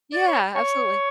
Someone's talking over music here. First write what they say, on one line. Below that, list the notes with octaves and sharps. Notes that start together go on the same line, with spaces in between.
Yeah, absolutely.
D5
C#5
C#5